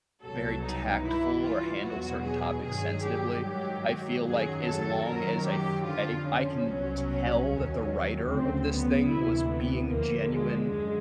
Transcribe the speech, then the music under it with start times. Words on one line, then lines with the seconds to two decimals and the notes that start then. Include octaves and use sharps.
very tactful or handle certain topics sensitively, I feel like as long as I f I I can tell that the writer of this thing was being genuine
0.22 C2 B2 F#3 A4
0.62 D#4
1.02 G2 E3 E4
1.42 F4
1.82 E2 B2 F#3 F#4
2.23 G#4
2.63 G2 D#3 F#3 G#4
3.03 G4
3.43 G#2 D#3 F#3 G4
4.24 F#2 D#3 F#3 G#4
4.64 A4
5.05 F#2 D#3 F#3 A#4
5.45 G4
5.86 F2 D3 F3 F4
6.26 C#4
6.66 C2 B2 F#3
7.47 D#2 D#3 F#3
8.27 D2 C#3 F#3 C4
8.67 B3
9.08 D2 C3 E3 E4
9.48 B3
9.88 D#2 D3 F3 A#3
10.28 G#3
10.69 F#2 D3 G#3